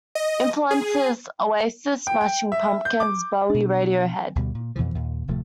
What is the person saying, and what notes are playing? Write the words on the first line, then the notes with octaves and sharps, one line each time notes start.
Influences: Oasis, Smashing Pumpkins, Bowie, Radiohead.
D#5
G#4
G5
G5
E5
G6
D6
B2 D4
D2 B2 G3
A#2
F2 B2 E3 F3
D#2 A#2
D1 C3 F3 A3